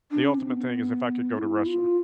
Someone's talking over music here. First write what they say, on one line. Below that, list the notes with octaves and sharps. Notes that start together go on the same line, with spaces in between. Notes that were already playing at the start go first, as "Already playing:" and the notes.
the ultimate thing is if I could go to Russia.
D4
C#4
C4
B3
E4
F4